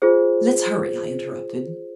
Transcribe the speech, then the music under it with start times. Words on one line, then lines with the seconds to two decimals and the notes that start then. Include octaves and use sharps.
"Let's hurry!" I interrupted.
0.02 F4 G#4 C5